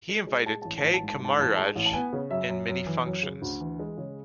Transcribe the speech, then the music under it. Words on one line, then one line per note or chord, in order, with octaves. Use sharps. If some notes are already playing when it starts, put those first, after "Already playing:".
He invited K. Kamaraj in many functions.
G#3
G#3
G#3 A5
A1 A5
A5
A1
A5
G#2
A5
G#2
A5
A1 A5
G#3 A5
A1
A5
B3 G#5
C#3
F#2 E5
F#2
F#2
E3
F#2
C#3
D2
E3
G#3
C#3